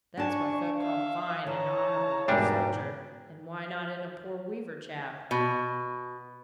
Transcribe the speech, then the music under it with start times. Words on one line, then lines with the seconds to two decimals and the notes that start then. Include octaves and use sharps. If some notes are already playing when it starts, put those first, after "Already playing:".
That's what folk call fine and honourable in a soldier, and why not in a poor weaver-chap?'
0.17 D4 D5 G#5 A5 C#6
0.78 E5 F5
1.47 E3 C#5 A5 A#5
2.28 E2 G#2 B2 G3 D4 A#4 G5
5.31 B2